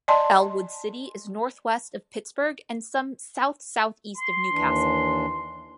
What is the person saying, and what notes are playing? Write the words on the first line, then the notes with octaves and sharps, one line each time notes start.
Ellwood City is northwest of Pittsburgh and some south-southeast of New Castle.
D5 D#5 G#5 A5 C6
C6
D#2 E3 D4